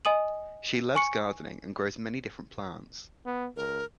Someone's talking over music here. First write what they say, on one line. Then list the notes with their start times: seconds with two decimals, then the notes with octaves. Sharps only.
She loves gardening and grows many different plants.
0.05 D#5 G#5 D#6 D#7 F#7
0.95 G#5 C#6 C#7
3.26 B3
3.56 C#2 A#4